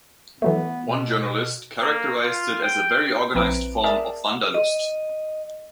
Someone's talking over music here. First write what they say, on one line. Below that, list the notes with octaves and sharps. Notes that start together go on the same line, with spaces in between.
One journalist characterized it as a very organized form of wanderlust.
E3 F#3 A3 B3
B2
A#3
F4
G5
A#1 C4 E4 B4 A#5 D7
G#4 A#4 D5 E5 A5
D#5